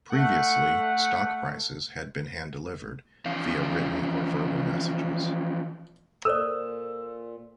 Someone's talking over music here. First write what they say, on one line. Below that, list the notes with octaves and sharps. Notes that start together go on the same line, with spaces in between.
Previously, stock prices had been hand-delivered via written or verbal messages.
A3 F#5
E3 F3 C#4 F5
A#2 A4 C5 D5 E6